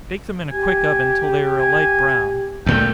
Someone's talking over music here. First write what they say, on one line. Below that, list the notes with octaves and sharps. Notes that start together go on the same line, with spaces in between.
Bake them in a quick oven till they are a light brown.
G4 G#5
G#5
D2 A#2 A3 G5